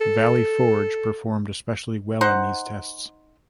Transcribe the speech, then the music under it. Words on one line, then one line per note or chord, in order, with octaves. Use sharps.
'Valley Forge' performed especially well in these tests.
A4
D#4 C5 F#5